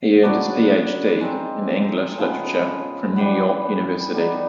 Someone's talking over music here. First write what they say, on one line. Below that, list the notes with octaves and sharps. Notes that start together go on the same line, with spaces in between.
He earned his Ph.D. in English literature from New York University.
C#3 F#3 B3 D4
G#3 C4 D#4
C#3 F3 G#3 B3
E3 G3 B3
G3 B3 D#4